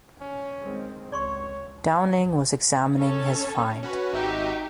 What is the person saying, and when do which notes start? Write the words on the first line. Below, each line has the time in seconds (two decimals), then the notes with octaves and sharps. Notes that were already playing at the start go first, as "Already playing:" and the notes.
Downing was examining his find.
0.21 C#4
0.62 D#3 G#3 C4
1.12 C#2 C#5 D5 C6 C#6
2.96 C#4 A4 C#5
3.83 C#4 F#4 B4
4.13 G#1 D#4 F#4 G4 E5